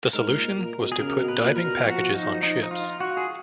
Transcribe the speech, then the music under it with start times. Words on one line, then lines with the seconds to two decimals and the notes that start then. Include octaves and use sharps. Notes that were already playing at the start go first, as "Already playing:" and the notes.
The solution was to put diving packages on ships.
0.13 G#2 A#4
0.35 A#2
0.57 A#2
0.78 B2
0.92 G#4
1.00 C#3 A#4
1.21 B2
1.28 B4
1.43 A#2
1.57 A#4
1.64 B2
1.85 F3 F#4
2.14 D#4
2.43 D#4
2.63 D#4
2.71 F4
3.00 F#4
3.17 G#4